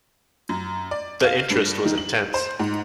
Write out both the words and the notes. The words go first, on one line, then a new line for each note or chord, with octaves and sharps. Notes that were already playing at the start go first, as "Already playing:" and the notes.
The interest was intense.
F#2
D5
F5
G2
D#3
F#7
C5
G#2